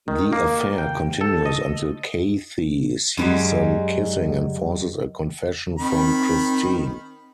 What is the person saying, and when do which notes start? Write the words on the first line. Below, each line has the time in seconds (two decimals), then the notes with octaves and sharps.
The affair continues until Kathy sees them kissing and forces a confession from Christine.
0.08 D#3
0.33 A#3
0.78 G5
1.21 A4
1.46 D#5
3.17 F#2 G3 G#3
5.78 D#3 C4 B5